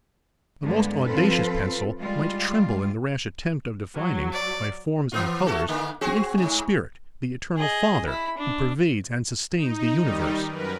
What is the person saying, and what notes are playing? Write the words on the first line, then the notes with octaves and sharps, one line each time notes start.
The most audacious pencil might tremble in the rash attempt of defining, by forms and colors, the infinite Spirit, the eternal Father, who pervades and sustains the universe.
G2 D3 G#3 A#3 B3
F3 C4 F4 A4 B4
G3 G#3 F4
F#3
D5
E3 B3 F4
A3 F#4 A4
D3 A#3 B3
C4 F#4 G#4
G#2 C3
G#4 D#5
E4 B5
D4
D#4
D#3 G3 D#4
F#2 A#4 B4